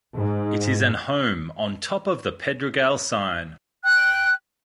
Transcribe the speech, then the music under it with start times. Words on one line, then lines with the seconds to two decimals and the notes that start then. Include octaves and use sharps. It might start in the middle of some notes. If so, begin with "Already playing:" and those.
It is an home on top of the Pedregal sign.
0.15 G#2
3.85 G5 F#6